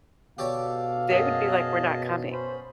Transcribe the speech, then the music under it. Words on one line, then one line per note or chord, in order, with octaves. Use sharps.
they would be like, "We're not coming.
B2 G4 A4 C#5 D5 F5
F#2 G#4 D#5 A5
C#4 C5 B5